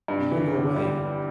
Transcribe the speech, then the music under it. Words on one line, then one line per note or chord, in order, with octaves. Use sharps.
You knew your way.
G2
E3
G1
G3